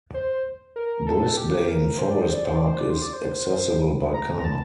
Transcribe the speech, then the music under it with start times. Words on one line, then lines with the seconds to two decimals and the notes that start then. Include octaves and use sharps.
Brisbane Forest Park is accessible by car.
0.14 C5
0.76 A#4
1.07 A4
1.37 G4
1.68 A#4
1.98 C5
2.10 D5
2.21 C5
2.33 D5
2.45 C5
2.55 D5
2.67 C5
2.79 D5
2.90 C5
3.02 D5
3.13 C5
4.14 A#5
4.39 A#5
4.44 A5